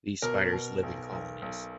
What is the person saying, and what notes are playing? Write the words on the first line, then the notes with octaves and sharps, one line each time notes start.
These spiders live in colonies.
B2 A#4
B2
B1
B1
B1